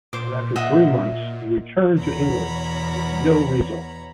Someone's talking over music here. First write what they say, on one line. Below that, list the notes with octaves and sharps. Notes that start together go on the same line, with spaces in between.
But after three months he returned to England with no result.
A#2 C5 D6
D#5 E5 F#5
E2 B2 C#5 A#5 B5